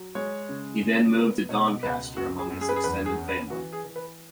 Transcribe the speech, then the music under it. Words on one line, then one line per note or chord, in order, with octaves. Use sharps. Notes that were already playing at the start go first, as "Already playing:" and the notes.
He then moved to Doncaster among his extended family.
Already playing: F#3
G#3 C#5
C#3
G#3
B3
B2 C#5
C#2 B4
F#2 F#4
G#4
F#2
G#4
B4
G#4
E2 B4
G#4
C#4
B4
E3 F#4
G#4
E3
B4